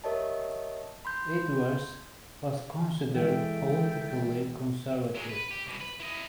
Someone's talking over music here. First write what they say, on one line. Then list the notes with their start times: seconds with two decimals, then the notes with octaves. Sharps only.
Edwards was considered politically conservative.
0.04 G4 A#4 C#5 D#5 E5 A5
1.05 B5 C6 G6
3.15 E3 G#3 A4 E5 G5
5.15 F#3 G#3
5.30 B4
5.51 G4
5.67 C2 B2
5.81 B4
6.00 E4 D#5